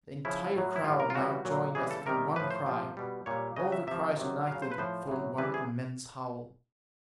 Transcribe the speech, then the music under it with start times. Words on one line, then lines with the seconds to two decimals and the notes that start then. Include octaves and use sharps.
The entire crowd now joined as if in one cry; all the cries united formed one immense howl.
0.25 C#3 F3 E4
0.55 A2 F#3
0.76 E4
0.84 A2 E3 G3 F4
1.00 A#4
1.10 F4
1.15 C#3 E3 G3 F#4
1.45 A#2 F#3
1.75 C#3 E3 G3 G#4
1.91 A4
2.06 C3 D#3 G3 A#4
2.36 A2 F3 B4
2.51 C5
2.66 C3 F3
2.97 B2 G3
3.26 A#2 G3 C#5
3.56 C#3 F#3 D#5
3.72 E5
3.87 C3 F3 E5
4.17 C3 D#3 F#3
4.47 C#3 F#3 F5
4.62 C5
4.72 B4
4.78 A2 F3 C5
5.07 A2 F#3
5.38 C3 E3 G3 B4
5.54 G#4